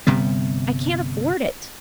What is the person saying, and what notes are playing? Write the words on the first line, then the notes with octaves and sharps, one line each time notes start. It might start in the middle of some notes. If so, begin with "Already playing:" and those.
I can't afford it.
G1 C3 G3 B3